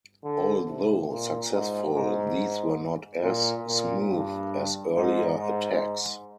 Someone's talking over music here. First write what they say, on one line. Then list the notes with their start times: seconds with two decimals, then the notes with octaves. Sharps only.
Although successful, these were not as smooth as earlier attacks.
0.24 D3
0.67 C3
1.09 A#2
1.52 G#2
1.95 G#2
3.23 A#2
3.67 A#2
4.10 G2
4.95 G#2
5.37 G#2